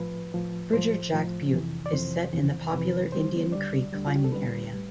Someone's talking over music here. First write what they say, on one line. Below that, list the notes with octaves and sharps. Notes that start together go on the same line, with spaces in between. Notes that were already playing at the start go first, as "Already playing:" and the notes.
Bridger Jack Butte is set in the popular Indian Creek climbing area.
Already playing: A2 F3 B4
A2 F3
A2 F3 C5
A2 F3
F2 C3 E3
D5
F2 C3 E3 C5
F2 C3 E3
F2 C3 E3 B4
D2 D3 G3 C5
D2 D3 G3 D5
D2 D3 G3
F4
G4
A4
D2 D3 G3 B4
A2 G3